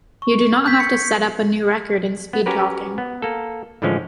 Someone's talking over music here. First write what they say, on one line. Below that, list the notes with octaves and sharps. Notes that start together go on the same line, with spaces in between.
You do not have to set up a new record in speed talking.
C#6
G6 G#6 B6
C#7
B3
C#4 F#4 G4 A#4 B4
B3
A#3 A4
A2 D3 E3 F3 G#3 C#4